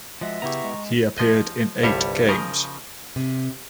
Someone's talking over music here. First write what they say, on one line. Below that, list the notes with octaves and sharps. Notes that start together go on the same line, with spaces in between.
He appeared in eight games.
F3 G#3 F#4 E5
C#3 B3 E4 G4 A#5 C#6
G#3
F3 D#5
G1 C2 G2 G3 C#5 E5
C#3 F3 A#4 D#5
C3